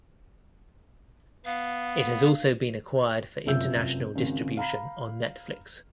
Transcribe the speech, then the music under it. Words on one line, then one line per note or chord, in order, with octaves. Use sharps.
It has also been acquired for international distribution on Netflix.
B3 F5
F1 F#2 F4 E5 E6 G6
G#1 C#3
F5 A#5 B5